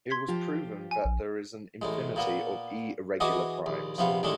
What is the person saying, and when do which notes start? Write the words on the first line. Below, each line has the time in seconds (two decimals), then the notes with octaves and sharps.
It was proven that there is an infinity of E-irregular primes.
0.10 C6 G#6 B6
0.28 F3 F4 G4
0.91 G#5
1.05 A#1
1.82 A1 A2 G#3
2.16 A#2 A#3 B3
3.20 E3 B3 F#4 G#4 D#5 D6
3.66 A#1 D#2
3.98 A#1 C3 F3 B3 F5
4.23 A1 D#2 A2 G#3 C#4 D4